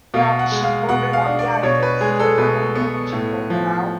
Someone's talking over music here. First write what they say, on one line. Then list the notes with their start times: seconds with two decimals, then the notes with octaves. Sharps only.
Well, she pulled it out Yeah, it did sting a little bit when she pulled it out,
0.14 B2 F5
0.39 F#5
0.51 G#3
0.64 F5
0.89 B2 F#5
1.13 F5
1.26 D4
1.39 D5
1.63 B2 C#5
1.83 B4
2.00 G#3 G#4
2.19 A4
2.38 B2 B4
2.75 B3
3.13 A2
3.50 F3